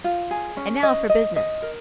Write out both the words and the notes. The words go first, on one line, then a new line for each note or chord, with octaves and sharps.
And now for business.
F4
G#4
C#4
D#5
D#5
D#5
A#4